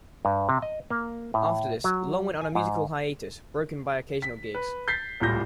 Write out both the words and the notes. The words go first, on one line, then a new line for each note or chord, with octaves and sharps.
After this, Long went on a musical hiatus, broken by occasional gigs.
G2
C3
D#5
A#3
A2
F#3
G#5
G#2
B6
B4
G6 A6 B6 C7
D1 C2 A#2 G3 G6 A#6